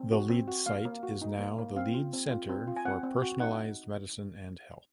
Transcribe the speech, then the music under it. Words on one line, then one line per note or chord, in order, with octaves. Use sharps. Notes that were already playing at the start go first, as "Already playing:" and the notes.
The Leeds site is now the Leeds Centre for Personalised Medicine and Health.
Already playing: C4
F#4
C4
F#4
A#3 F5
A#3
F#4
D#4
A#3
A#3
C4 F5
F4
C4
F4
C4
F4
G#5
C4 F#5
C4
F#4
D#4 F#5